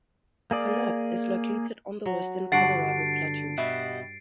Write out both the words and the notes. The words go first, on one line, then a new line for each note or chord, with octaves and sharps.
Kanab is located on the western Colorado Plateau.
A#3 G#4 D5
F#3
G2 D3 D4 F#4 F#5 A6 C7 D7
B2 G4 D#5 E5 F#5